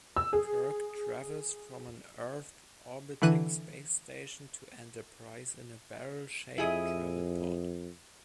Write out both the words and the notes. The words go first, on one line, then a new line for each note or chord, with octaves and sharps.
Kirk travels from an Earth-orbiting Space station to "Enterprise" in a barrel-shaped "travel pod".
E6
G#4
D3 E3 F#6 D#7
F2 E4 G#4 D#5